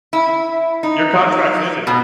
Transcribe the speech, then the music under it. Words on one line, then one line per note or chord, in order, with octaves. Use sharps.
your contract's ended.
E4
D#4
B2